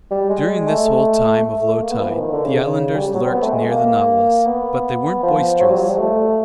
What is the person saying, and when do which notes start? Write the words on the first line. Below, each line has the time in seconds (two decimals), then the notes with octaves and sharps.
During this whole time of low tide, the islanders lurked near the Nautilus, but they weren't boisterous.
0.11 G3
0.29 G#3
0.67 A3
1.44 A3
1.82 A#3
1.90 B3
2.01 F3
2.10 E3
2.20 D#3
2.32 D3
2.45 C#3
2.95 G3
3.14 F#3
3.23 C4
3.32 B3
3.42 A3
3.52 G#3
3.71 A#3
4.46 B3
5.23 F3
5.60 F#3
5.70 G3
5.79 F3
5.89 G3
5.99 A3